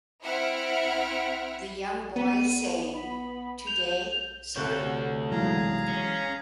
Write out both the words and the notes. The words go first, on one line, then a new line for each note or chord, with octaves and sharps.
The young boy saying, Today, sir?
C4 E4 E5 F#5 F6 D7
B3 D#7
B5
G6 F7
D2 C3 A4 C#5 F#6 G6
B1 E2 G#2 G#4 F5 A#5
C#4